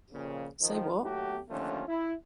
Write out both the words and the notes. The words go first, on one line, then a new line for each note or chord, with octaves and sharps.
Say what?
F2 A#2 C#3
D#3 F3
D#2 F#3 A3 F#4 G4
D#2 D3 F3 A3 C#4 F4
E4